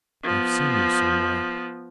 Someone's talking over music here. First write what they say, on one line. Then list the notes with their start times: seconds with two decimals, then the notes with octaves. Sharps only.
"I have seen you somewhere."
0.24 F3 B3